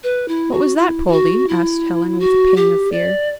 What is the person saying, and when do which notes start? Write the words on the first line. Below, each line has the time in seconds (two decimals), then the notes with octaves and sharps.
"What was that, Poldie?" asked Helen with a pang of fear.
0.04 B4
0.28 E4
0.52 F#4
0.76 E4
1.07 E4
1.12 F#4
1.48 E4
2.20 F#4
2.56 G4
2.92 D5